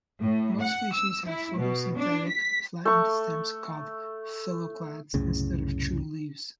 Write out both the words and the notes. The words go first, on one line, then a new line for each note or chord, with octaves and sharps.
Most species have photosynthetic flattened stems, called phylloclades, instead of true leaves.
A2
F#5
E6
E4
B2
D4
B6
A3 C#6
C2 F#2 A2 C#3